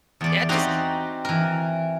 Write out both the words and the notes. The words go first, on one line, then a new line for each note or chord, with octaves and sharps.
Yeah, it just
E2 D5
C4 D#4 F#4 G4 F#5 A#5
E3 A#4